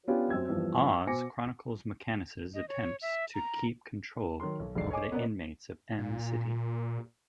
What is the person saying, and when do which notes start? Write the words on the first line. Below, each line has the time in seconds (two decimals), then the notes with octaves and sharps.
"Oz" chronicles McManus' attempts to keep control over the inmates of Em City.
0.08 B3 C#4 D4 F4 G4
0.30 F#2 C4 E6 G#6
0.49 E2 G2 F3
1.07 B2 C5 G#5 D6 A#6 C#7
2.54 D#5
2.69 C#5
3.02 E5
3.34 A#5
4.40 D#3 F#3 A#4 C6
4.60 B1
4.75 E1 B1 G#3 D#4 D5 C7
4.90 C#5 D#5 G#5 D6
5.11 A#3 B3 C#4 A#4 D5 D#5
5.99 A#2